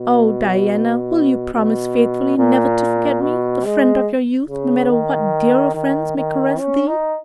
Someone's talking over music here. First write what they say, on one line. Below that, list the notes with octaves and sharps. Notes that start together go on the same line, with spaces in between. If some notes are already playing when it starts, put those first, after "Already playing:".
"Oh, Diana, will you promise faithfully never to forget me, the friend of your youth, no matter what dearer friends may caress thee?"
Already playing: B2
B2
A#2
B2
G#3
C#3
D#3
D#3
D#3
C#4
D#4